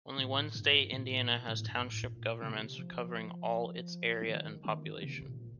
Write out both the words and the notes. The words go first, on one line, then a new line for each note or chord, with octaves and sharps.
Only one state, Indiana, has township governments covering all its area and population.
A2
G2
A2
A#2
A2
A#2
A2
G2
A2
A#2
C3
F3
F3
D#3
D#3
C3
A#2